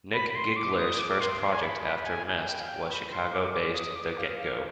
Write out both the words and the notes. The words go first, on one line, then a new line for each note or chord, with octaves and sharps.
Nick Gigler's first project after Mest was Chicago-based The Get Go.
B5
B5
C6
D6
D#6
D6
D6
C6
C6
G#5
B5
B5
G#5
G#5
G5
F5
G5
B5
C6
D6
D6
D#6
D6
F5
F5